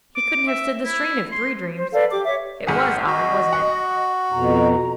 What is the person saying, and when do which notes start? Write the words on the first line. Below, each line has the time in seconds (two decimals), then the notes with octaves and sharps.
He couldn't have stood the strain of three dreams. It WAS odd, wasn't it?
0.16 D6
0.47 E5
0.85 E4
1.32 C6
1.75 C5
1.93 A4 B4 D5 F5
2.11 G4 D6
2.24 C#5 E5 D6
2.67 G#1 G#4 F#5 F6
3.06 F#4 D#5
3.53 F#5
4.32 F2 B2 A#5